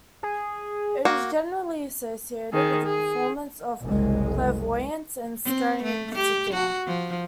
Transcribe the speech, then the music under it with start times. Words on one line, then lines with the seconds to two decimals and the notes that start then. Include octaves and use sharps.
It is generally associated with the performance of clairvoyance and scrying in particular.
0.23 G#4
1.05 A#3 F#4
2.53 D#3 G#4
2.85 G#4
3.84 F#1 C2 G#3
5.45 C4
5.84 A3
6.15 G4
6.54 F#4
6.87 F3